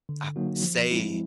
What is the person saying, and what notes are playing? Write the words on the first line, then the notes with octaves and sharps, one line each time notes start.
uh, say
D3
F#3 A#3 D#4 F#4
F3
G#3 C4 E4